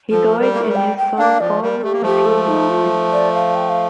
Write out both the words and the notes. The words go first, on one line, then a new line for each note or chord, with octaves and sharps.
He died in his son's arms a few minutes later.
F3 A4
A#4
G3
A#3 A#4
A3
G3
G5
G5
A#3 D4 F5
F3 D5
G3 A#4
A3 G4
A#3
F3 A3 G4
A4
D#4
F4
D5
F5
G5
F5